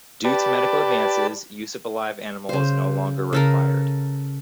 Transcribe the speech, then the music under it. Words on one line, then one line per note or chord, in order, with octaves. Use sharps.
Due to medical advances, use of a live animal is no longer required.
G4 B4 D5 A5
C#3 C5
C#3 A4 A#4